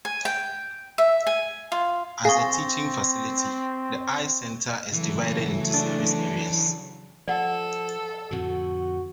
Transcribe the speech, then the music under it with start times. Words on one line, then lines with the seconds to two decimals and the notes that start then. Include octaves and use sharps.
As a teaching facility, The Eye Center is divided into service areas.
0.05 G#5
0.25 G5
0.98 E5
1.27 G#5
1.72 F4
2.25 C4 G#4 F5 C#6 A6 A#6
4.93 C#3 E3 F#3 A3
5.74 D4
7.28 F3 A4 D5 F#5
8.31 F2 A2 D3 F#4